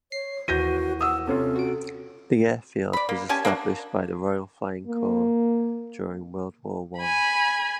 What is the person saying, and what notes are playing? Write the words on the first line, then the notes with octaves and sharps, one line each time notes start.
The airfield was established by the Royal Flying Corps during World War One.
C#5 C7
D#2 E3 F#4 G6 A#6 D#7
F#5 D#6 E6
C3 C#4 F4 A4
F#4 D7
D5 B5
A#3
C#4 G4 G#5 A5
A#3 D4 E4 F#4
A#3
G#5 B5